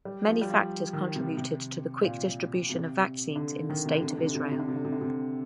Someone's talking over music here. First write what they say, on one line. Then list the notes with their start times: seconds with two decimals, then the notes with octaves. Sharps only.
Many factors contributed to the quick distribution of vaccines in the state of Israel.
0.05 G3
0.28 F3
0.42 G3
0.50 F3
0.93 D#3
1.16 C3
1.37 C3
2.04 A#2
2.70 C3
3.36 D3
3.70 D#3
3.86 C3
3.94 D3
4.02 C3
4.11 D3
4.18 C3
4.26 D3
4.35 C3
4.43 D3
4.51 C3
4.59 D3
4.68 C3
4.76 D3
4.85 C3
4.92 D3
5.01 C3